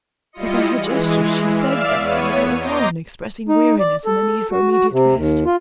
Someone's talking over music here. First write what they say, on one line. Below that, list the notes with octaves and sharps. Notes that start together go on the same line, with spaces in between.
But by her gestures she begged us to leave her alone, expressing weariness and the need for immediate rest.
G3 E4 F4 D#5 C#7
E3 G#3
D5 E5 F5 E6 F6
E2 B3 C#5 D#7
D#5 A#5 C6 D6 G6
D#4
D5
A4
F#4
F#4
C3
D#2
F4